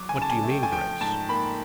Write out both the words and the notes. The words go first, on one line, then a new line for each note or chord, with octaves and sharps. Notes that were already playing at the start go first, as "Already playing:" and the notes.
"What do you mean, Grace?"
Already playing: F#3 D6
G#5
C#3
A5
G#5
A3
G5
G#5
F3 G5
G#2 A5
A#3 B5